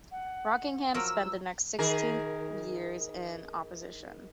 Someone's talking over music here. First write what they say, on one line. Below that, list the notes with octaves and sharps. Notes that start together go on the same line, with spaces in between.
Rockingham spent the next sixteen years in opposition.
F#5
F3 F#3 A#4 E6
D#3 G#4 A#4